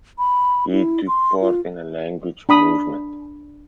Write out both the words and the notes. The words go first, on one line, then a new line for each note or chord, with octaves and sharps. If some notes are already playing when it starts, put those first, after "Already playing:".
He took part in the Language Movement.
B5
E4
C6
F4
D4 B5 D#6